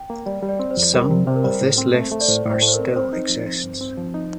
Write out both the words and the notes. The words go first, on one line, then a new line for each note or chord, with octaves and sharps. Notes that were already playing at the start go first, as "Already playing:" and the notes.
Some of this lifts are still exists.
Already playing: G5
A#3
G3 D5
G3
D5
C4
C5
F2
G3 A#4
C3
C3 C5
A#4
G3 C5
A2 C5
C4
A3
A3
D5
A2 C5
A2
C5
A3
C5
A#4
C4
C4 C5
D#4
F3
C4
G2
C4
F3
D#4